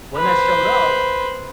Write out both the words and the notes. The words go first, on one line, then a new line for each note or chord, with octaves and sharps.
when that showed up,
B4 C5